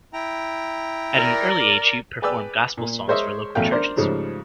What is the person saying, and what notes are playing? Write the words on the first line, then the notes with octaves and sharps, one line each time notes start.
At an early age, she performed gospel songs for local churches.
E4 G5 A#5
A#4 D5
G#4 B4 D5 G5 D6 E6
A#2
G#3 A#4 C5 C#5 D#5 E5
A1 E2 F#3 A3 F5 G5
D4 A#4 C5 D5
G#2 C#3 F3 G3 A3